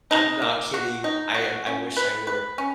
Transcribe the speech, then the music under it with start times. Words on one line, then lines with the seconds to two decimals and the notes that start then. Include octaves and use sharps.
I'm not kidding. I am I wish I were.
0.11 D#4
0.42 A#3
0.74 F#4
1.04 D#4
1.34 F#4
1.66 C#4
1.97 B4
2.27 B4
2.58 C#4